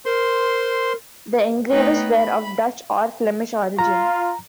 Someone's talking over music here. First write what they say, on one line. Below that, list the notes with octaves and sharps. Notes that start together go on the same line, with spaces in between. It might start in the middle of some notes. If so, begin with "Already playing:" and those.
The engravers were of Dutch or Flemish origin.
A#4 C5 C6
A3 B3 D#4 B4 C#5 G5
B5
F4 A#5